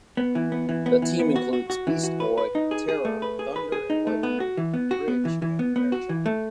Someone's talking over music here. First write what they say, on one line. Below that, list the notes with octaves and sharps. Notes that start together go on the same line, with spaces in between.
The team includes Beast Boy, Terra, Thunder and Lightning, Ridge and Fairchild.
B3
E3
B3
E3
B3
E3
B3
F#4
F#4
F#4
E3
F#4
B4
B4
D#4
G#4
G#4
A3
B4
G#4
B4
G#4
D#4
A3
B3
F#4
E3
B3
F#4
B3
E3
E3
B3
B3
F#4
E3
A3